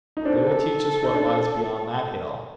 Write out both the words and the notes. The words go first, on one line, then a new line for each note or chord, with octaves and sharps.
They will teach us what lies beyond that hill.
D#4
C4 D4 A4
D#4
C4 D4